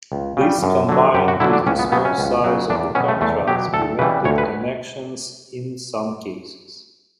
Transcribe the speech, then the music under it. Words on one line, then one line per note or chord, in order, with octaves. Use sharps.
This, combined with the small size of the contacts, prevented connections in some cases.
C#2
C#3 G3
F#2
D3 F#3
F#2 G4
F#4
D3 F#3 E4
D4
C#2 C#4
B3
C#3 F#3 B3
C#4
C#2
C#3 F#3
E2 D4
B2 F#3 C#4
A3
E2 A3
B2 F#3 G4
D2 A4
C#3 E3 G3 B4
D2 C#5
B4